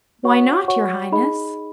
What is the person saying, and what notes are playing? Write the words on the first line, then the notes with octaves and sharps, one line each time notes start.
"Why not, your Highness?"
F#4 C#5 F#5 C#6
F#4 C#5 F#5 C#6
D#4 G#4 D#5 B5